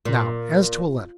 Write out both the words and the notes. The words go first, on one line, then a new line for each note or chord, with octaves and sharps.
Now, as to a letter.
A#2